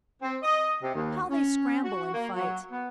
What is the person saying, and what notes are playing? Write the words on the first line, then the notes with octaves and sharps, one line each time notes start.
How they scramble and fight!
C4
D#5
C3
D#2
C#4
F#4
A#3
F#3
B3